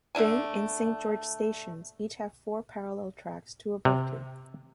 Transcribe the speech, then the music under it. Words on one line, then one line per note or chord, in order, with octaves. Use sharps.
Bay and Saint George stations each have four parallel tracks, two above two.
D3 A3 D4 G#5
C3